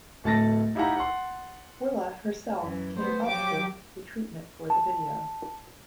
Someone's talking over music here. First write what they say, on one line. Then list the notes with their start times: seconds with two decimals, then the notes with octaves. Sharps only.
Willa herself came up with the treatment for the video.
0.24 D1 A3 A5 A6 A#6
0.75 D#4 E4 G4 F5 F#5 A#5
0.97 F#5 C6
2.59 F#2 E3
2.97 A3 B3 C5
3.27 F3 F#3 G4 D6
4.70 A5